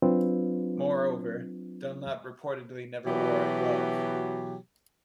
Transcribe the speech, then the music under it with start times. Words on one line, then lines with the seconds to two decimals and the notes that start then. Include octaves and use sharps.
Moreover, Dunlap reportedly never wore a glove.
0.02 F#3 C4 D4 F4 B4
3.05 B2 E3 F#3 G4